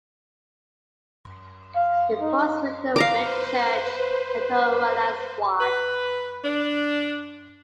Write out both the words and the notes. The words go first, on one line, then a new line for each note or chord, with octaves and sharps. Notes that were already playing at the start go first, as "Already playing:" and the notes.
It falls within the Whitchurch and Tongwynlais ward.
F5
D#4
B4 C5 F5 A#5 D6
B4
D4